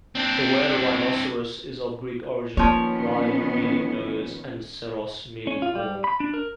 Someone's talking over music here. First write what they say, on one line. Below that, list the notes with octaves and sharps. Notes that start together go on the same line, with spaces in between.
The word "rhinoceros" is of Greek origin; "rhin" meaning "nose", and "ceros" meaning "horn".
C4 D4
D#3 F3 A#3 B3 C#4 C#5
C#4
F4
G3
B5
D4
A#4